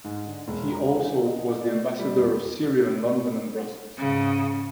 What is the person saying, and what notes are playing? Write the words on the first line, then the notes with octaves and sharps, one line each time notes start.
He also was the ambassador of Syria in London and Brussels.
G#2
D3
E1
A#5
E3
D#5
D5
B2
G3
E1
G#2 C#3